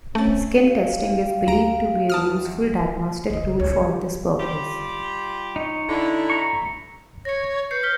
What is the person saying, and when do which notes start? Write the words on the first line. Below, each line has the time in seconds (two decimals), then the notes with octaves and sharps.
Skin testing is believed to be a useful diagnostic tool for this purpose.
0.15 A3 C4 C#4 A6
0.57 G4 F5
1.47 D2 A#5 D7
2.10 E2 A5 D#6 F6
3.30 E2 D#3 D#5
3.44 C#3
3.60 C#2 C#5
3.72 G3 C#5
3.86 G4
4.39 G3 F4 G4
5.56 D#4 C#5
5.89 D3 E4
6.30 E5 A#5 C#6
7.25 C#5 A#6 C#7
7.71 B4 G6 C7 C#7
7.83 F6 B6 G7